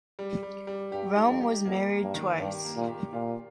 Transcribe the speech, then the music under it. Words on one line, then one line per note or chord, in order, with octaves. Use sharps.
Rome was married twice.
G3
G3
G3
G2 G4
D#4
F2
G4
F2 A#3
A#3
G2
D#3
G2 G4
A#3
A#2
G4
A#2 F4